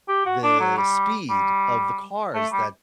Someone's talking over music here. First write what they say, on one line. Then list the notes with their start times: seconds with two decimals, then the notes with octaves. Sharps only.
the speed of the cars that
0.08 G4
0.26 F#4
0.43 D4
0.60 F#3
0.77 G3
1.30 G3
2.35 A3
2.52 G3